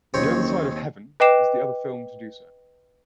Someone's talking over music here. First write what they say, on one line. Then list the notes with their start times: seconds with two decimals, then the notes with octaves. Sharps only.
"The Other Side of Heaven" is the other film to do so.
0.14 F#1 D#2 C4 C#5
1.20 B4 D#5 G5 D6 C7 E7